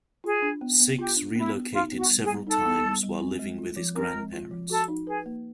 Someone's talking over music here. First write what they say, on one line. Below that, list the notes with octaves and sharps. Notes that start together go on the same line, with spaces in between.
Sixx relocated several times while living with his grandparents.
F4 G#4
D4
B3
B3
F4 G4
D4
B3 E4
B3
D#4 F4
B3
F#4
G3
G#4
G3
D#4 A4
B3
G3
G3
C4
G#3
F4
F3
C4 A#4
G#3
F4
F3
F#4 A4
D#4
G#4 B4
A#3